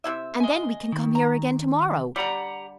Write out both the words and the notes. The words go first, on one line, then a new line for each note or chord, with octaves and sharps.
"And then we can come here again to-morrow."
C3 E4 E5
D#5 G#5
D#3
A#5
D3 G3 G4 F#5 A#5